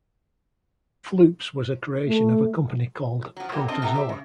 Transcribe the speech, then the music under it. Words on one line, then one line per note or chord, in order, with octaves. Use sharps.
Floops was a creation of a company called "Protozoa".
A3
F3 F#3
F#3 A3 A#3 G4
C4 D4 F4 C5 D#5 A5
C3 B3 G4 A4 A#5
G4 C5 E5
C#3